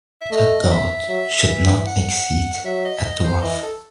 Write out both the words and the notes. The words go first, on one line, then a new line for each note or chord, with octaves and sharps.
The outer coat should not exceed at the ruff.
E5
A3 D#5
E5
F#3 E5
E3
F#5
F#5
F#3 E5
D#5
E5
D#5
C5
E3 D#5
A4